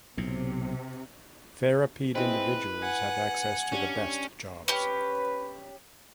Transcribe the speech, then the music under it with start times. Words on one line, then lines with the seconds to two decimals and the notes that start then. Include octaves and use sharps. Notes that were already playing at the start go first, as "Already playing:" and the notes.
Therapied individuals have access to the best jobs.
0.17 B1 A2 C3
2.15 G#3 C4 E4 B4
2.82 F#5 G#5
3.72 G3 C#4 D4
4.68 C#4 G4 B4